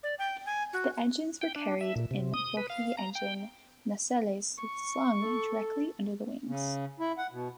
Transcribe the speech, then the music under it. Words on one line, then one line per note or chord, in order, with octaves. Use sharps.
The engines were carried in bulky engine nacelles slung directly under the wings.
D5
G5
G#5
F#4
G5
D4
E5
A#2
C3
D#6
B4
F5
A#5
G5
C#6
A4
C#3
E4
F#5
B2